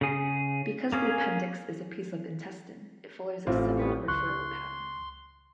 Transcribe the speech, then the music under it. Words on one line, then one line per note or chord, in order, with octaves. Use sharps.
Because the appendix is a piece of intestine, it follows a similar referral pattern.
C#3 G#4
A#3 C#4 G#4
A1 C4 F4
B3 B4 C#5
C#2 C6 C#6 F#6